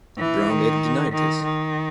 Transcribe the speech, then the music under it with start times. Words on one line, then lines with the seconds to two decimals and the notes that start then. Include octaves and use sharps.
Brown later denied this.
0.18 E3
0.50 D#3
1.13 D#3
1.43 D#3